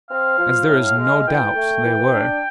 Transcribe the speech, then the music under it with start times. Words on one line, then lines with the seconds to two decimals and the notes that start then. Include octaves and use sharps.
As there is no doubt they were.
0.08 C4 F5
0.38 F3
0.67 A2
0.97 G#3
1.26 E3 G5
1.55 A3
1.84 E3
2.13 D4